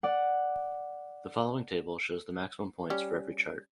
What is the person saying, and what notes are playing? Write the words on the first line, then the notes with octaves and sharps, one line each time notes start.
The following table shows the maximum points for every chart.
D5 F#5
G3 C#4 G4